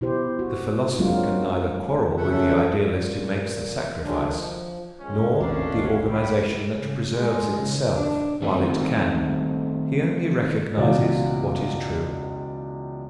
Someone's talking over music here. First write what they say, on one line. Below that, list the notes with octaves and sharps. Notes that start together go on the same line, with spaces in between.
The philosopher can neither quarrel with the idealist who makes the sacrifice nor the organization that preserves itself while it can; he only recognizes what is true.
B2 E4 G4 C5
F#4
F#3 G#3 A#3 C4 D4 F4
F#2 C#3 C#4 A4 E5 F#5
A#2
D3 D#3 F#3 G#3 D4
F3
D2 D#3 G#3 C#4
G#1 D#2 C3 C#4 D4 F5
C2 G3 G5 B5
C#3
G#3
C#3
D4
D#3 G3 A3 C4 D#4
C#2 B2 E3 D5 F5 F#5